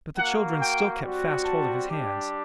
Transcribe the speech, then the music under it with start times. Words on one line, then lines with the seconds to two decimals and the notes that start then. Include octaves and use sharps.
But the children still kept fast hold of his hands.
0.18 A#3 F#4 F#5
0.60 G5
1.03 G3 C4 F#4
1.44 A5
1.87 G3 D4 G4